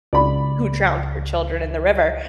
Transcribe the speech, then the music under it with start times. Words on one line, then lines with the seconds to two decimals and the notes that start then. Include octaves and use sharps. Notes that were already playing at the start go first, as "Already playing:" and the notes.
who drowned her children in the river,
0.13 C#2 D5 B5